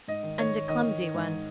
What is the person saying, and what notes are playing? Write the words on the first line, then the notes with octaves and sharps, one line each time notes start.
And a clumsy one.
G#2 D#5
D#3
D#3 C#5
D#3
D#3 D#5
D#3
D#3
G#2